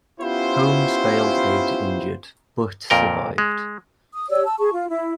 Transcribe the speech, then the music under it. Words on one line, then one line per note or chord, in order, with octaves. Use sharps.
Holmes bailed out injured but survived.
B3 C#4 E4 F4 G4 C5
F2 A#2 A#4 G5
G#3
D#6
G4 C#5 D5 E6
A5 E6
G#4 A5 C#6
F4
E4